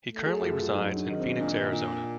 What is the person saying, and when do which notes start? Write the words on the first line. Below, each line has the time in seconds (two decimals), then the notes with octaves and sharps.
He currently resides in Phoenix, Arizona.
0.10 A3
0.26 G#4
0.42 F#2 F#4
0.58 F4
0.75 F#3 D#4
0.96 D4
1.07 D#3
1.18 C4
1.39 A#2 D4
1.72 A#2